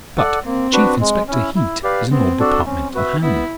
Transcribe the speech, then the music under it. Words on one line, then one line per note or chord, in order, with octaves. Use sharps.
But Chief Inspector Heat is an old departmental hand.
A4 D5 F#5
A#3 C4
D4 F#4 B4
G#3
C#4 E4
E4
G4 B4 D5 F5
B3 C4
D4 F#4 A4 D5
C4 C#4
F#4 B4 E5
B3 E4